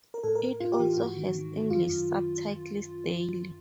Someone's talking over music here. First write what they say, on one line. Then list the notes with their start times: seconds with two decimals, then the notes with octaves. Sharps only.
It also has English subtitles daily.
0.14 A#4
0.23 A2 A4
0.35 A#4
0.42 A2
0.60 A2 F4
0.72 G4
0.79 E3
0.97 G#2 F#4
1.15 D#3
1.34 D#3
1.52 D#3
1.70 F#2 F4
1.89 F#2